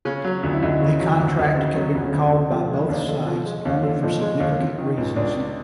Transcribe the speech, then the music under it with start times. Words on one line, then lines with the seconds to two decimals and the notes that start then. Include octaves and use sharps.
The contract can be recalled by both sides only for significant reasons.
0.05 C#3 C#4
0.24 F#3
0.43 D2
0.53 E4
0.62 D2 D#4
0.82 C#3
1.00 F#3
1.19 D2
1.39 D2
1.47 D#4
1.57 C#3
1.75 F#3 C#4
1.94 D2
2.04 C#4
2.13 D2
2.33 D3
2.51 F3
2.71 G#3
2.80 D#4
2.89 D#2 D4
3.09 D3
3.27 F3
3.46 G#3
3.65 D#2
3.83 D3
4.03 F3 D#4
4.21 G#3
4.40 D#2
4.59 C3
4.78 D#3
4.97 C#2
5.16 C#2 D4
5.34 C3